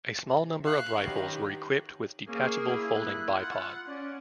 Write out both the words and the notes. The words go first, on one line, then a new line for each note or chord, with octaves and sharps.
A small number of rifles were equipped with detachable folding bipod.
C3
E5 F5 C#6 F#6
D#3 F#3 C#4 D#4 G4 B4
A#3 C#4 G#4
E4
F#6
F4 F#5
C#4 D5